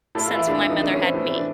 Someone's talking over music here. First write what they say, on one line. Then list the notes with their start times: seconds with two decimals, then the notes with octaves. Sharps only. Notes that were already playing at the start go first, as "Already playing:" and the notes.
since my mother had me,
0.15 A2 A4
0.26 F4
0.31 E3
0.36 E4
0.47 A2 D4
0.58 D4
0.64 E3
0.70 D#4
0.80 A2 D4
0.91 C#4
0.97 E3
1.02 C4
1.14 A2 B3
1.25 C4
1.30 E3
1.35 D4